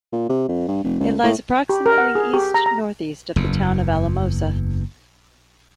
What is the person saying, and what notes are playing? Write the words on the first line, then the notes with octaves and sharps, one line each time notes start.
It lies approximately east-northeast of the town of Alamosa.
A#2
C3
F2
G2
F1
C#2
A2
G4
A#4
F#5
G#4
G4
A#5
A#5
F#1 E2